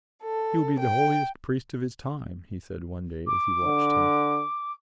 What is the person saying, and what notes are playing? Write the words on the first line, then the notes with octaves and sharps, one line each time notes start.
"He will be the holiest priest of his time," he said one day as he watched him.
A4
G5
D6
D3